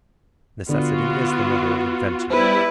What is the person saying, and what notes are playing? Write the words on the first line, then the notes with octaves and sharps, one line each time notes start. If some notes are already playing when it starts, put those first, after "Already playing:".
Necessity is the mother of invention.
D3 B3 F4 F#4
G3 B3 E4 B4 C5